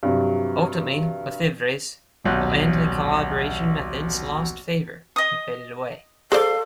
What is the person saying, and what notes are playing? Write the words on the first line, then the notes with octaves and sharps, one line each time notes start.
Ultimately, LeFevre's anti-collaboration methods lost favor and faded away.
G2 C3 F#3
D#1 B1 F#6 G6
D#5 D#6
G#4 A4 C5 D5 F5 C6